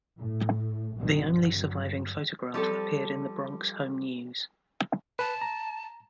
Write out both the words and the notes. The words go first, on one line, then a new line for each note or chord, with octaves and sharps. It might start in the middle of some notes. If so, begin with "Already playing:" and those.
The only surviving photograph appeared in the "Bronx Home News".
A2
A#1 G2 D#3 F#3 C4
G2 D3 F#3
F3 G3 C4 A4
B4 A5
A#5